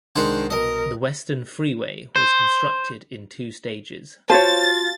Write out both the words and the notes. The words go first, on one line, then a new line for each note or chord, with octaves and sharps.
The Western Freeway was constructed in two stages.
C2 D#3 G#3 D4 C5 F#5
B2 A#4 D#5
C5
F4 F#4 C5 C#5 A5 A6